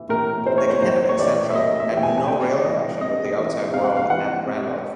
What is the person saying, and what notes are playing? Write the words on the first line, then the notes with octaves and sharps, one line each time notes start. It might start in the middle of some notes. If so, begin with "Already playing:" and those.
The Kennebec Central had no rail connection with the outside world at Randolph.
Already playing: E3
A2 A#4
E3 C5
C#5
C5
A2 C5
C#5
E3 D5
E5
A2 D#5
E5
E3
G5
G#5
G#5
C3 G5
D5
E3 D#5
C3 D#5
D#5
E3 E5
C3 F5
F#5
F5
E3 F#5
C3